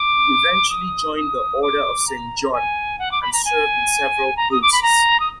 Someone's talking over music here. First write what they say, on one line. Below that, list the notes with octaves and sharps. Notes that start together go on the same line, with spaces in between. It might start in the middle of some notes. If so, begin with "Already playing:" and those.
He eventually joined the Order of Saint John, and served in several posts.
Already playing: D6
D#6
D#6
D6
A#5
G#5
F#5
D6
B5
A#5
G#5
A#5
D#6
D6
B5
A#5
D#6